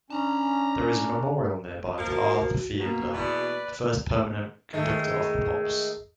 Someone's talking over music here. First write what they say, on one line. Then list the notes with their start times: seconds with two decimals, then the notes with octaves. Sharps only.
There is a memorial nearby to Arthur Fiedler, first permanent conductor of the Pops.
0.10 C#4 D4 A5 A#5
1.98 F3 A#3 F#4
2.79 B2 A#3
3.13 E2 B2 B4 D5
4.73 D#3 G#3 A3